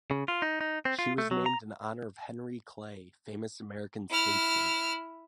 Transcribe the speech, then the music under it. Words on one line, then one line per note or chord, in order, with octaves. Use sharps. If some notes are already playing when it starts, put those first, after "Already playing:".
She was named in honor of Henry Clay, famous American statesman.
C#3
F4
D#4
D#4
C4
F4
A3
F#3
A#5
E4 F6